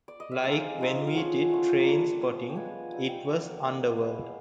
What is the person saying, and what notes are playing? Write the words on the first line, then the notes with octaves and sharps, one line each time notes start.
Like when we did "Trainspotting", it was Underworld.
D5
D#5
E5
G#3 C4 D#4 F5
F3 G#3 C4 D#4
F5
F3 G#3 C#4 F4 F#5
A3 C#4 F4
A#5
G3 A#3 D4 A5
A3 C#4 F4
G5
F3 G#3 B3 D4 G#5
G3 C4 D#4 G#5
G5
F#3 A#3 D4
A#3 D#4
G#3 B3 E4 F5